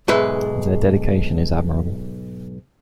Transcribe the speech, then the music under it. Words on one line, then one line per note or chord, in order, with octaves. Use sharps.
Their dedication is admirable.
B1 G#2 G#3 B4 E5